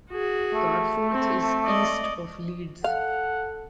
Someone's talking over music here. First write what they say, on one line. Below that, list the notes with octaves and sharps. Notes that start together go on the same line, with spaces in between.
Garforth is east of Leeds.
F#4 G#4
A3
C4
D5 D#5
A4 F5 F#5